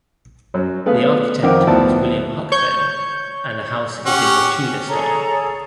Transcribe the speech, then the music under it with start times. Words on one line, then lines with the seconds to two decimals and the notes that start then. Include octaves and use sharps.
The architect was William Huckvale and the house is in the Tudor style.
0.54 F#2 F#3
0.86 A3 B3 G#4 B4 F5
1.43 F2 D#3 A#4 F#5 D6
1.67 D2 F3 B3 E4 D5 A5
2.52 C#5 C#6 G6
4.06 C#4 G4 F#5
4.89 G#4 A4 C#5 A#5